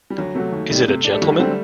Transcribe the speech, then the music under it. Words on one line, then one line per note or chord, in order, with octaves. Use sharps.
Is it a gentleman?
G3
D2 F#3
C3 F#3 A3
D#2
D#3 G3
C3
D4
G3 A3
D#2 G3
D3 F#3 G3 C4